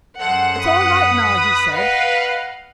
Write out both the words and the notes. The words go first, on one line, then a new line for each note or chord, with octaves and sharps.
"It's all right now," he said.
F#2 G#3 A4 C5 F#5
B4 B5 D#6
B4 D#5 F5 F#5